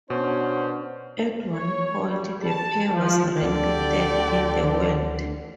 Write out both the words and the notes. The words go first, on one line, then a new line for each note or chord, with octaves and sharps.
At one point, the pair was ranked third in the world.
B2 B3 C#4 D4 C5
C#5
G3
A5
F3
D2 D3 G4 D5 G5